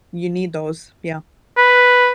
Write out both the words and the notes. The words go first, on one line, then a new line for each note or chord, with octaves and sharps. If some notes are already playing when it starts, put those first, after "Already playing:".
You need those. Yeah.
B4